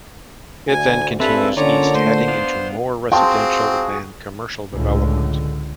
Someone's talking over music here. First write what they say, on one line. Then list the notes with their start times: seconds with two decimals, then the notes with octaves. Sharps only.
It then continues east, heading into more residential than commercial development.
0.68 D2 G#5
1.20 G2 C4 G#4 A4 B4 E5 B5
1.57 A#2 D3 C#4 F4 C#5 D5 A#5
1.94 A3 C5 C6
2.28 B3 D4 F5
3.12 C4 F4 F#4 G#4 G5 A5
4.73 C#2 A2 D3